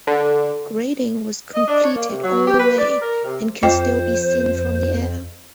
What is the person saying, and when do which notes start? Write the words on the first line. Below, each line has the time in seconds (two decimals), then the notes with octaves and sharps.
Grading was completed all the way, and can still be seen from the air.
0.07 D3
1.54 D#5
1.68 D4
1.83 C#5
1.95 A#3
2.08 C3
2.22 F#3
2.45 G4
2.60 B4
2.77 D5
3.01 A#4
3.24 C3
3.63 F2 F4 C5 D#5 G5